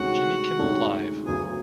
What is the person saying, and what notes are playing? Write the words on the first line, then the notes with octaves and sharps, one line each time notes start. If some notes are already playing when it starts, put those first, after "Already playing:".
Jimmy Kimmel Live!
Already playing: D2 C3 D#3 G#3 C#4 F#4 F#5
D2 C3 D#3 G#3 C#4
D2 C#3 F#3 B3 G#4 G#5